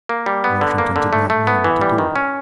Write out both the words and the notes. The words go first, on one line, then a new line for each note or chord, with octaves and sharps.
Washington did not know what to do.
A#3
G3
B3
D3
A#3
D3
A3
A3
B3
E3
G3
D#3
C#4